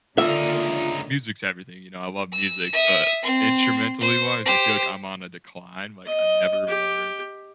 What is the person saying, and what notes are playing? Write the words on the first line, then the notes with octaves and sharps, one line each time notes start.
Music's everything, you know? I love music, but instrumentally wise, I feel like I'm on a decline, like, I've never learned
C#2 D3 A#3 D#4 F4 D5 E5
E6
E5 D#6
C4 C6
C5
G4 C5
D#5
G4